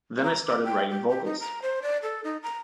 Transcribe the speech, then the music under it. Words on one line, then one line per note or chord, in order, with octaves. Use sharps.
Then I started writing vocals.
A#5
D6
G5
G4
G4
D#4
A#5
C5
D5
A4
D#4
A#5